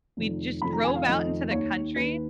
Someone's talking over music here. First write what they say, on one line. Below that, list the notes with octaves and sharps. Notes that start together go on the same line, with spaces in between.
we just drove out into the country,
F1 F2 D#3
F1 F2 D#3 B5
A#5
G#5
F5
F1 F2 D#3 D#5
D#2 D#3 C#5
D#2 D#3 B4